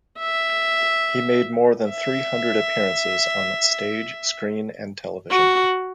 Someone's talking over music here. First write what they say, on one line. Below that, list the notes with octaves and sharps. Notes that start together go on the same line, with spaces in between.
He made more than three hundred appearances on stage, screen, and television.
E5
E5
F#4